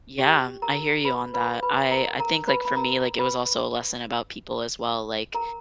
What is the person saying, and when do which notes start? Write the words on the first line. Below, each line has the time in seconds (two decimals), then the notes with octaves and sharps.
Yeah, I hear you on that. I I think, like, for me, like, it was also a lesson about people as well, like
0.19 G4 G5
0.62 A#4 A#5
1.05 B4 B5
1.34 B4 B5
1.63 B4 B5
1.91 A#4 A#5
2.19 A#4 A#5
2.48 B4 B5
2.65 B5
2.76 A#4 A#5
3.19 B4 B5
5.34 A#4 A#5